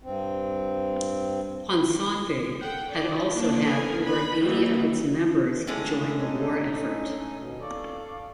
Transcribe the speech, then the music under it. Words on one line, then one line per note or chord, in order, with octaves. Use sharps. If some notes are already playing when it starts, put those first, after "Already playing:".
Ponsonby had also had over eighty of its members join the war effort.
G2 C4
A4 F#5 G5
D5
A#3 D4
D3 A#3 B3 A#4 G#5
B4 B5
E3 F#3 G3 A#3 D#4 F#4
A2 D3 G#3 A4 C#5
C#4 D#4 D#5
D#2 B2
A4 D5 F5 C#6 D6